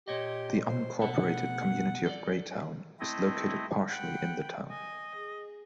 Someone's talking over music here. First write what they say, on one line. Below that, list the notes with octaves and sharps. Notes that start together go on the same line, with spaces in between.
The unincorporated community of Graytown is located partially in the town.
A#2 G4 C#5 D#5
C5
B2 A3 B3 F#5
A4 D5
A3 C4 E4 D#5
F#5 G5 B5
D#5 G#5
G#4